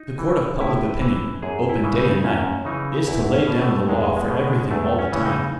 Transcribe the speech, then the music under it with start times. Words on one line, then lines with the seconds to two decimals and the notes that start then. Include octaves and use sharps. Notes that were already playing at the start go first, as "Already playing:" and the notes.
The Court of Public Opinion, open day and night, is to lay down the law for everything all the time.
Already playing: D#4
0.19 E3
0.61 A2 E4
1.01 E3
1.43 F#2 G#4
1.69 E4
1.84 C#3 E3
1.98 D#4
2.24 F#2 C#4
2.65 C#3 E3 D#4
3.07 E2 E4
3.34 C#4
3.47 B2
3.62 A3
3.89 E2 G#3
4.17 G#3
4.30 B2
4.44 G#3
4.71 E2 A3
4.99 C#4
5.12 C#3 E3 C#4
5.26 D#4